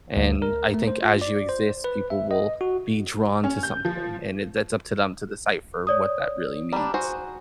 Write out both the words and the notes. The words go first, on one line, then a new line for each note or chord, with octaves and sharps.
And I think as you exist, people will be drawn to something, and it that's up to them to decipher what that really means.
D2
A#4
A3
C5
F4
D5
C5
B4
E5
D#5
F#4
C#4
G6
F3
C#5 D5 D#6
G3 D4 A#5
F#4 G#4 C5